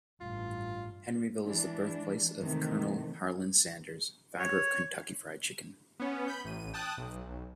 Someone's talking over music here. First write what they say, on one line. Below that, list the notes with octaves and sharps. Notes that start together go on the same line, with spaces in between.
Henryville is the birthplace of "Colonel" Harland Sanders, founder of Kentucky Fried Chicken.
A1 G2 F4
E3 G#3 D4
C3 D#3 E3 A3
C#5
B3 C#4
B5 G6
A1 D#7
G5 A5 D#6 F#6
B1